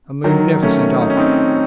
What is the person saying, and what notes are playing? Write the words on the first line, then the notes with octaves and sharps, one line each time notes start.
"A munificent offer."
D#3 F#3
A3 C#4
D#4
C#4
C4 D#4